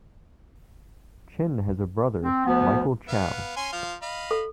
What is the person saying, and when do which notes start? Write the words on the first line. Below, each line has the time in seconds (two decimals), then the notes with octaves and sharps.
Chin has a brother, Michael Chow.
2.23 C4
2.46 D2 F3 B3
3.09 B3 F5
3.56 C#4 G#5 C6
3.73 F3 F5
4.02 D#5 F5 B5
4.31 A4